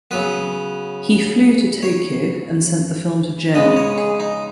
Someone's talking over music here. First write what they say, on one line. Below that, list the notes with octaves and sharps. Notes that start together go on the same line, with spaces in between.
He flew to Tokyo and sent the film to Germany.
C#3 F#3 B3 B4
C#5
C#3 G#3 B3 D#5
C#5
G#4
D#4